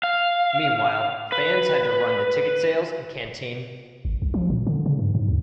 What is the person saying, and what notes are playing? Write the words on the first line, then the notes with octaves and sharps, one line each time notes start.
Meanwhile fans had to run the ticket sales and canteen.
F5
B4
G#1
C2
F3
A#2
D3
C#3
G2
G#2
D2